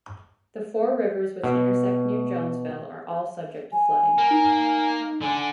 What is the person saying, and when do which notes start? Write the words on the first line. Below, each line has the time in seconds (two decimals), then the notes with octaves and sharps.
The four rivers which intersect near Jonesville are all subject to flooding.
1.43 B2
3.72 G#5
4.18 A#3
4.31 D#4
5.22 D3 D4 G#5